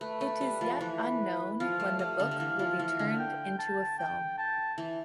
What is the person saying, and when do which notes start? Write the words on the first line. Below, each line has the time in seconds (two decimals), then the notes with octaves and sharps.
It is yet unknown when the book will be turned into a film.
0.01 A3 B4
0.21 A3
0.41 G3
0.61 F3
0.80 E3 B4
1.60 F3 F5
1.80 A3
1.99 G3 F5
2.20 D3
2.31 D3
2.39 E3 F5
2.59 F3
2.79 E3 F5
2.99 D3
3.19 G5
3.59 A5
3.98 G5
4.38 A5
4.78 E3